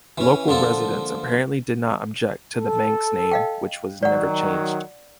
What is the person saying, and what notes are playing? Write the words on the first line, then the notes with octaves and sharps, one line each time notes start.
Local residents apparently did not object to the bank's name, which was never changed.
E3 C#4
D3 F3 A#3 A4
A4
D#5 F5 G5
D#3 F#3 D5 F#5